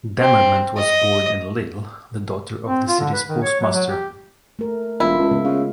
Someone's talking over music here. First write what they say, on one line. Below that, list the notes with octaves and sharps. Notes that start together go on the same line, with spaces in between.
Damerment was born in Lille, the daughter of the city's postmaster.
C4
D#5
C4
F4
D3
B4
D#3
C#5
F#3
F#3
G4
A3 A#4
E1 E4 F4
C#2
C#3 G#3 B3
C#3 F5